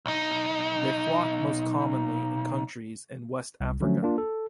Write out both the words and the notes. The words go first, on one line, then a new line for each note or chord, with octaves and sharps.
They flock most commonly in countries in West Africa.
B1 D#4
C2
D3 F3 F#3 A3 C#4
A#3 D4 F4
A4